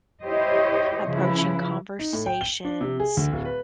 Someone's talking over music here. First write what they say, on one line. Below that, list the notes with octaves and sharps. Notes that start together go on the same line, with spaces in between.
approaching conversations,
E4 G4 C5 C#5 D#5
C#3 F3 E4 B4
D#4
A2
G5
G7
D4
C3
G#4
D2
D1
B4